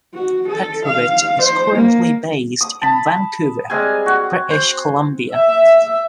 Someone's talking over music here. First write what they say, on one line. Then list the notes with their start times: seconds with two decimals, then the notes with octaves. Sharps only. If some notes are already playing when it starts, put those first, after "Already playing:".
Petrovich is currently based in Vancouver, British Columbia.
0.14 F#4
0.48 A4
0.85 F5
1.42 C5
1.76 A#3
2.61 D#6
2.81 A5 B5
3.70 G3 G#3 C4 G#5
4.06 F#4
4.50 C5
5.33 E5